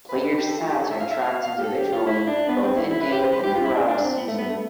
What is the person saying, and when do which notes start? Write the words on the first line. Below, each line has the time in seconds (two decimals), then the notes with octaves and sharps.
Player stats are tracked individually both in-game, and throughout a season.
0.09 B4
0.23 B4
0.37 G4
0.48 A4
0.58 F4
0.69 G4
0.79 A4
0.91 E5
1.00 F5
1.11 E5
1.21 F5
1.43 F5
1.58 G4
1.64 A4
1.78 G4
1.92 F4
2.06 E4
2.27 D4
2.49 B3
2.63 C4
2.76 E4
2.91 E4
3.01 B4
3.12 G4
3.22 C5
3.32 B4
3.43 G4
3.54 F4
3.65 E4
3.75 D4
3.88 D4
4.03 C4
4.17 B3
4.28 A3
4.38 B3
4.49 A3